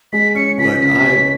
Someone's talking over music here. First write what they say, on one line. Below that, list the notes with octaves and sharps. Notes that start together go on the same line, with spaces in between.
But I
G#3 B6
C#4 C#7
C#2 B6
C#3 B6
C#4